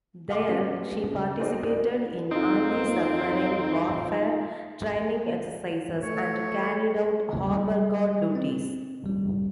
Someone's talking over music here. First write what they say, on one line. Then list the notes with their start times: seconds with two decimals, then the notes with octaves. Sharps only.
There, she participated in antisubmarine warfare training exercises and carried out harbor guard duties.
0.30 D#5 F5 F#5 G#5 C6 D6
0.48 D3 G3 B3 C#4
1.12 C#3
1.39 D#4 F#4 G#4 C5 D5 D#5
2.31 F2 C4 D#4 F4
6.03 A3 C#5
7.47 G3
8.35 C4
9.06 G3